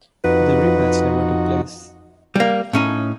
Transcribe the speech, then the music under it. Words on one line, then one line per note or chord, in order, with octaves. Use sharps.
The rematch never took place.
F2 D#4 F#4 B4
G3 A#3
A2 C#4 D#4